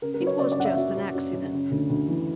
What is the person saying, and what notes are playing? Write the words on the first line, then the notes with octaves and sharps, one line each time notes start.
It was just an accident.'
C#3 A#4
A#4
F#3 B4
C#5
C#3 D5
D5
F#2 F#5
E5
F#3 E5
F#2
F#2
F#2
C#3
D2
D2
E3